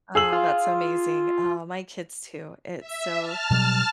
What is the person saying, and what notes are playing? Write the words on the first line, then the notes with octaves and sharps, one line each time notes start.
Oh, that's amazing, oh, my kids too, it's so
G#4 E6 F#7
F4
E5
A5 F6
B2 F#3 G3